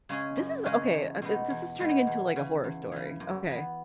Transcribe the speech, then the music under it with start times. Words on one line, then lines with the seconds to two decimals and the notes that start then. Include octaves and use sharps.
This is okay, uh, this is turning into, like, a horror story. Okay.
0.09 C#3 G#3 C#4 G#4
0.37 F#2
0.66 C#3 G#3 C#4 G#4
0.94 E2
1.22 B2 G#3 B3 D#4
1.50 E2
1.79 B2 G#3 B3 D#4
2.07 E2
2.36 C#3 E3
2.64 E2
2.92 C#3 E3
3.20 F#2
3.49 E3 B3